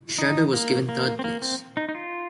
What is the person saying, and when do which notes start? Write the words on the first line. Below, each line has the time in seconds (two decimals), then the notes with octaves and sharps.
Shredder was given third place.
0.18 D#4
0.53 A#3
0.89 A#3
1.19 C4
1.24 A#3
1.42 C4
1.77 D#4
1.89 D#4
1.95 F4